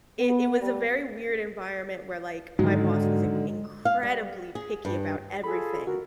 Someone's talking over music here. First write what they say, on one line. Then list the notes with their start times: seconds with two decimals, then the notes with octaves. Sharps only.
it it was a very weird environment where, like, my boss was in incredibly picky about everything.
0.20 B3
0.61 G3
2.59 G#2 D3 D#3 F#3 G#3
3.85 F5
4.03 G3
4.55 G#4
4.85 G2
5.44 F4 G#4 A4 B5
5.87 F#4 A#4